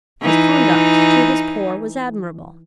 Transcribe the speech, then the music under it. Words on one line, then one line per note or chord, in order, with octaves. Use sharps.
His conduct to his poor was admirable.
E3 D#4